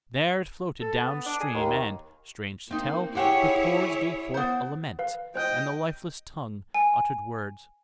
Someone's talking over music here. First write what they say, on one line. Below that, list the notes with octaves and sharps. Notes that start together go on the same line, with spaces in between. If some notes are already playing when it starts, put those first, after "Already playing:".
There it floated down stream and, strange to tell, the chords gave forth a lament, and the lifeless tongue uttered words.
A4
B3
D4
G#4
D#2
A#3 C4 D#4
E4 G4 G#4 C#5 F#5 G5
B3 C5
B4 F5
C5 D#5 G5 F#6
G#5